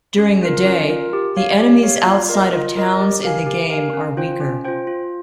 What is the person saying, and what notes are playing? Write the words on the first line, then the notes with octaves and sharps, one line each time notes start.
During the day, the enemies outside of towns in the game are weaker.
C#4
F4 A#4
C#4
F4 A#4
G4
C#5 F5
G4
C#5 F5
F4
A#4 D#5
F4
A#4 D#5
G4
A#4 F5 G#5
G4
A#4 F5 G#5
C#4
F4 C5 G5
C#4
F4 C5 G5
F4